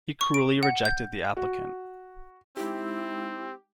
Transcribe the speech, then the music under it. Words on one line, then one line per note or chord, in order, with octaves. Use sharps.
He cruelly rejected the applicant.
C#6
D7
F#5
G6
F#4
G#3 C4 D#4 E4 G4